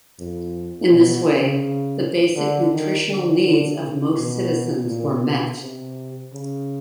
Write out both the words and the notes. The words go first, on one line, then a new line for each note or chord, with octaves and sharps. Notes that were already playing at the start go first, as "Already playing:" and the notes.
In this way, the basic nutritional needs of most citizens were met.
F2
B2
C#3
D3
D#3
D3
D3
C#3
B2
A#2
B2
C3
C#3